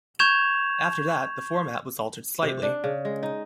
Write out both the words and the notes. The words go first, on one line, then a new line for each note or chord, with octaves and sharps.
After that, the format was altered slightly.
C#6 G6 G#6 E7 F7
C3
D4
C#3
G#3
D#4